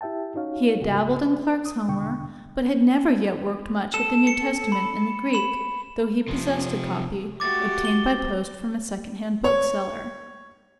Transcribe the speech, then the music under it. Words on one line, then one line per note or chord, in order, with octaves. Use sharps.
He had dabbled in Clarke's Homer, but had never yet worked much at the New Testament in the Greek, though he possessed a copy, obtained by post from a second-hand bookseller.
E4 G4 E5 G5 A5
C#4 D#4 F#4 C#5 F5
C2 G#2 C#3 F#4 G#4
D4 D5
D#6
E2 B2 D3 G5 C#6
A4 E7
C#7
B5
B5 E7
C3 F3
A3 F#4 G4 D6 A6
G7
C#5